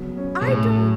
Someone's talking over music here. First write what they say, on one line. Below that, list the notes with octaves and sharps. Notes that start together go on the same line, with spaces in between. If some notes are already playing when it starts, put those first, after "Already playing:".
I don't
Already playing: C#3 F#3 B3
C#4
B2
A2 G#4
F#3